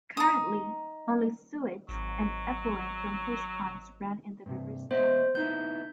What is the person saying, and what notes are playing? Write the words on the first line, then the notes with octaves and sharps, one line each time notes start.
Currently, only sewage and effluent from fish ponds run in the river's channel.
D#4 D#6
G#1 F#3
G2 C3
B3 C5 D#5 E5
B3 D#4 E4 G6